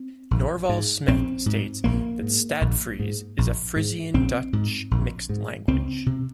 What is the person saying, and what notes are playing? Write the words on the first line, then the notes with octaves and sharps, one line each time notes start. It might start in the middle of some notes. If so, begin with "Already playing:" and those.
Norval Smith states that Stadsfries is a Frisian-Dutch mixed language.
Already playing: C4
A#1
G#2
A#1 C4
G#2
A#1 A#3
G#2
A#1
G#2
A#1
G#2
A#1 C4
G#2
A#1
G#2
C#2 C4
C3